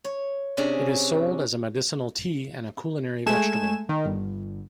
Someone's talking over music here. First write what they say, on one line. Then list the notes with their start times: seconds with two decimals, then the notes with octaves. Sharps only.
It is sold as a medicinal tea, and a culinary vegetable.
0.04 C#5
0.57 C3 C#4 D4 G#4
3.26 G#3 A3 G#5 E7
3.89 D#3
4.05 G1